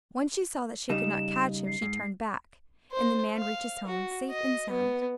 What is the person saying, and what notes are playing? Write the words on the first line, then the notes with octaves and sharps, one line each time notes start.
When she saw that she could not catch him, she turned back, and the man reached his home safe and sound.
C#3 G3 D#4 E7
C7
G#2
C5
F5
F#4
D#5
B3